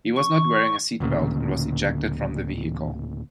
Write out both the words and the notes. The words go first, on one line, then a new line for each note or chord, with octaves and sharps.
He was not wearing a seat belt and was ejected from the vehicle.
C#6
D1 D2 A#2 C#3